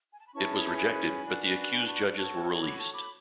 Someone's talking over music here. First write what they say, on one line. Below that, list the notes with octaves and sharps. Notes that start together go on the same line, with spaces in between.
It was rejected, but the accused judges were released.
G#5
A5
B5
C#4 E4 G#4 B4 A5 C#6
B5
A5
G#5 B5
D4 F#4 B4
G#5 B5
A5 C#6
F#4 A4 C#5 A5 C#6
B5 D6
A5 C#6
B5 D6